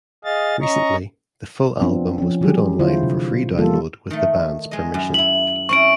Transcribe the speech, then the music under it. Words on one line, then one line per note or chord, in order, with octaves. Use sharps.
Recently, the full album was put online for free download with the band's permission.
G#4 D#5 F5 A6
C#4 D#5 A#5 C#6
F3 B3 C4 D4 F4
F3 C#4
E3 F#3 G#3 G4 G#4
D3 E4 F4 C5
C3
D#3 F3 G3 A#3 F4 A4
D#3 A3
G#3 D#5
F#2
E4 E5 F#7
C4 C#4 E4 C#6 D7